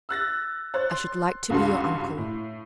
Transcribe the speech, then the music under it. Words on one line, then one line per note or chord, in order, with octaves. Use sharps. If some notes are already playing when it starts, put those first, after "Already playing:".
I should like to be your uncle.'
E6 F#6 A6 A#6
C5 C#5 F#6 A6
C6
C#2 G2 F#4 A4 C6
A2